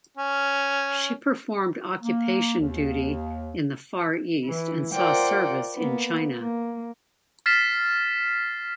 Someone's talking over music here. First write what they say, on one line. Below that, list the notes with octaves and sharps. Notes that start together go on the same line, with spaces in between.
She performed occupation duty in the Far East and saw service in China.
C#4
A#3
D#2
E3 E4
F4 A#4 C5 D5 F#5 G5
A#3 B3
A#3
F6 A6 B6 C7 E7